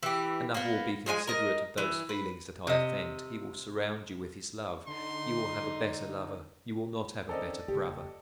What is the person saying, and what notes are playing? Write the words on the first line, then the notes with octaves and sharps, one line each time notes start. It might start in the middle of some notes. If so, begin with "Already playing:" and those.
Another will be considerate of those feelings that I offend, he will surround you with his love; you will have a better lover, you will not have a better brother.
E3 G4
A#3 B3
F3 G#3 D4 G#5
A#4 D#5
E3
B4
C3 D#5
D3 D#4 C6
D#3 C4 C#4 A4 D5 D#5
F#1 G4 C#5